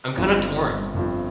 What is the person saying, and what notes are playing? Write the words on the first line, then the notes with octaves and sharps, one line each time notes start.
I'm kinda torn.
G1 G2 F3 C4
G1 G2 F3 C4